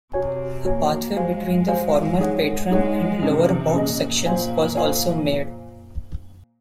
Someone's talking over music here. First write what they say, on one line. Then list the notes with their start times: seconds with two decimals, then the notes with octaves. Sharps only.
A pathway between the former Patron and Lower Box sections was also made.
0.13 C3 F#4 C#5 G#5
0.65 A#3 F#4 C#5 G#5
1.16 G#3 F#4 C5 F5 G#5
1.68 F#4 C5 F5 G#5
2.20 D#4 G#4 C#5 F#5
2.71 G#3 D#4 G#4 C#5 F#5
3.22 C3 C#4 G#4 D#5
3.74 A#2 C#4 G#4 D#5
4.26 F4 C5 F5 G#5
4.77 F4 C5 F5 G#5